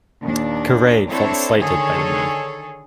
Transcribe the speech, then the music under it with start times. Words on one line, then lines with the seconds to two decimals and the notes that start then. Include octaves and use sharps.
Caray felt slighted by the move.
0.23 D#2 A#2 D4
1.09 C4 D4 E4 A4 C5 C#5
1.60 D3 D#3 G#4 A4 C#5